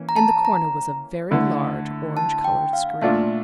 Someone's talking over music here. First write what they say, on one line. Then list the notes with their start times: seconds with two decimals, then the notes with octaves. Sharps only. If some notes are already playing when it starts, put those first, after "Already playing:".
In the corner was a very large orange-coloured screen.
Already playing: E3 A#3 C#4
0.09 A#5
0.16 A5
0.45 A#5
1.31 D3 A3 E4
2.17 A5
2.44 G5
2.73 F5
3.01 A#2 A3 D4 F4 E5